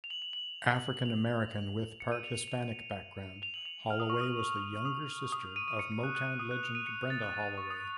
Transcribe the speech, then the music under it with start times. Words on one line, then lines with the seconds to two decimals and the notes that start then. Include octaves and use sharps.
African-American with part-Hispanic background, Holloway was the younger sister of Motown legend Brenda Holloway.
0.04 F7
0.10 F#7
0.22 F7
0.33 F#7
1.05 F7
2.00 C#7
2.12 D#7
2.24 F7
2.35 F7
2.48 F7
3.43 F7
3.54 F#7
3.65 F7
3.90 F6
4.00 D#6
4.10 C#6
4.21 D#6
4.85 D#6
5.32 D#6
5.56 D#7
5.68 D#7
5.79 C#7
5.92 C#7
6.03 F#6
6.15 F#6
6.40 D#6
6.51 F#6
6.63 F7
6.75 D#7
6.87 C#7
7.02 F#6
7.10 A6
7.22 F#6
7.35 F#6
7.58 C#6
7.70 D#6